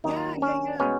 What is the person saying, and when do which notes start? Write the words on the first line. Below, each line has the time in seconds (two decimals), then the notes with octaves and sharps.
yeah, yeah, yeah,
0.04 D#2 D#3 F#3 D#4
0.42 C#4
0.80 B2 G#3 B3 C#4